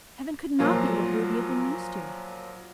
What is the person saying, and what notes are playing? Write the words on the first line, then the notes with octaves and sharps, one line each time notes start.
Heaven could not be what Ruby had been used to.
A#2 F3 F#3 A#3 F4